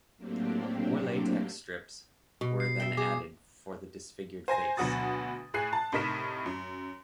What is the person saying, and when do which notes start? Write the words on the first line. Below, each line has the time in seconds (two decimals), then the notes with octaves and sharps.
More latex strips were then added for the disfigured face.
0.17 A2 F#3 A#3 C4 D4 G4
2.41 B2
2.60 C7
2.80 E5 G5
2.97 G#4 D6
4.48 C5 G#5 A#6
4.77 D2 B2 F#3 F#4 D#6 A6
5.54 A2 G#4 G#5 F#6 C7
5.73 A5
5.92 A2 C3 D#4 A#4 B6 E7
6.46 F#2